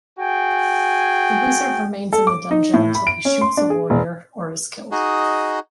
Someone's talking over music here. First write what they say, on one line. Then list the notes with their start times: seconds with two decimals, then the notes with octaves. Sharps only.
The Wizard remains in the dungeon until he shoots a Warrior or is killed.
0.19 F#4 G#4 G5 G#5
2.13 A4
2.27 D6
2.51 D#4
2.74 A2
2.95 B5
3.07 D7
3.25 C#4
3.41 C6
3.57 D4
3.70 G#4
3.90 E1
4.91 D#4 F#4 G#4 D#5